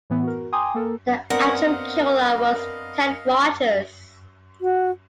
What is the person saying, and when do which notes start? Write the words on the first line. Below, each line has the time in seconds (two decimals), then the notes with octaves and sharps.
The actual killer was Ted Rogers.
0.10 A2 E3 B3
0.23 F#4 A#4
0.53 G5 G#5 A#5 C6 D6 D#6
0.74 A#3 A4 A#4
1.30 B3 C4 D4 A#4 D#5 F5 F#5
4.61 F#4